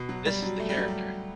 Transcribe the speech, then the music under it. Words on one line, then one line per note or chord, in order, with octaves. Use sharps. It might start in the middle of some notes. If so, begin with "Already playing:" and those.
This is the character!
Already playing: B2
F#3
G3
F#3
A3
G3
F#3
G3